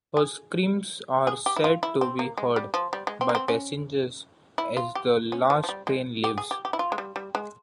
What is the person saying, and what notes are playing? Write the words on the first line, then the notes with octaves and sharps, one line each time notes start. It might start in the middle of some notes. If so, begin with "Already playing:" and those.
Her screams are said to be heard, by passengers, as the last train leaves.
G#4
G#4
G4
E4
F4
E4
C4
A#3
G#3
G3
F3
G3
G#3
C4
A#3
C4
C#4
E4
F4
G4
C#4
F3
F3
G3
G#3
G4
G#4
G4
G4
E4
F4
G#3
G3
G3
G#3